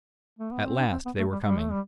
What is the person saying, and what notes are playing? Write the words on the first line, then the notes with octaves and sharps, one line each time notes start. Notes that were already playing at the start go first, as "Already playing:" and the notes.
At last, they were coming.
A3
B3
C4
D4
C4
B3
A3
G3
G3
A3
G3